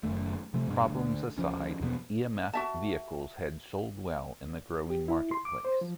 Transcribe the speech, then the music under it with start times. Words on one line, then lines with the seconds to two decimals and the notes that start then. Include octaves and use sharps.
Problems aside, E-M-F vehicles had sold well in the growing marketplace.
0.03 F#1 F#2 D#3 A3
0.54 C3 F3 A3
0.68 G2 B2 G3
0.87 D2
1.38 F3 C#4
1.80 E2 B2 F3 B3
2.54 F#4 E5 A5
4.90 G4
5.08 E4
5.31 C6
5.45 D6
5.65 C5
5.81 F3